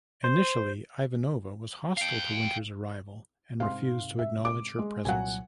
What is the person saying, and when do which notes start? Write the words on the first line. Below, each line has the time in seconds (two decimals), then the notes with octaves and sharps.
Initially, Ivanova was hostile to Winters' arrival and refused to acknowledge her presence.
0.24 C5
1.97 F5 G5
3.60 G#2 C3 F5 C6
4.19 E5
4.45 D6
4.79 G#3
5.05 C2 A#2 F#3 F#5 G#5